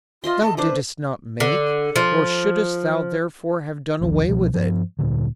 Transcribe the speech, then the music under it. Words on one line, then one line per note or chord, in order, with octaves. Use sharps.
Thou didst not make, nor shouldst thou therefore have done away with it.
F4 D#5 E5 C6
A4 A5
D4 A4 B4 C5
D3
F3
A#1 E2 D#3 F3
C2 B2 F3
G2 F3
D2 A#2 D3